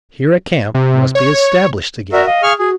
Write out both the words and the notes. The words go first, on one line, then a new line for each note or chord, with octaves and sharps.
Here a camp must be established again.
C3
C#5
F#4 A#4 D5 E5
D#5 F5
G#4 C#6 F6
F#4 G#4